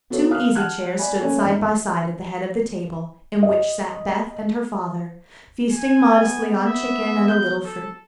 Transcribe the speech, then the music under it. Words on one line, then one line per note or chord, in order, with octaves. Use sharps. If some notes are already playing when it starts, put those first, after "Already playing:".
Two easy chairs stood side by side at the head of the table, in which sat Beth and her father, feasting modestly on chicken and a little fruit.
B3 F#4 A4 C5 C#5
A#4 F5 D#6 F6 F#6
F#5 A5 F6 F#6 G#6
D5 G#5 B5
A#3 C#4 A4 C#5 G#5
G#1
D#5
G#5
B3
E5
G6
A4